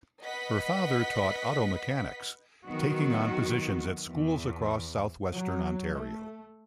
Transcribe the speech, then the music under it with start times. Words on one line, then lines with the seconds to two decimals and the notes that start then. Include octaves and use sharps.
Her father taught auto mechanics, taking on positions at schools across southwestern Ontario.
0.23 B4 D#5 F#5 B6
2.66 D#3 F#3 B3 F#4
4.07 E2
5.34 F#3
5.95 A3